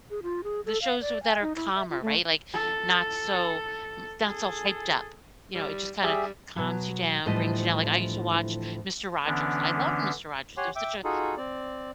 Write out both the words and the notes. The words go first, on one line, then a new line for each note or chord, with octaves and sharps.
the shows w that are calmer, right, like, not so n not so hyped up, you know, it just kinda calms you down, brings you down, like, I used to watch Mister Rogers, I loved Mister Rogers, it was such a
G#4
F4
G#4
A4
F5
D5
G#5
D#4
E4
E5
F4
A3
A4
G#4 A4
G3
G3 G4 G#4 E5
B2 F#3
D2 A2 E3 F3 G3 D#5
D3 E3 B3 C#4 D4
G4 C#5 F#5 G#5 C6
E5 G5 D6
D#4 F4 F#4 G#4 A4
C4 D5